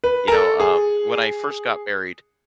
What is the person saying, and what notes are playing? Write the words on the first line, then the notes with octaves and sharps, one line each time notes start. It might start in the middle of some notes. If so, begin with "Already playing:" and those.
You know, um, when I first got married,
B4
A#4
A4
G#4